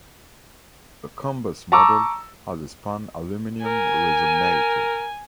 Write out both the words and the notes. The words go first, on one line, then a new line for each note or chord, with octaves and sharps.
The Cumbus model has a spun aluminum resonator.
A5 A#5 C#6 D6 E6
A#4 G#5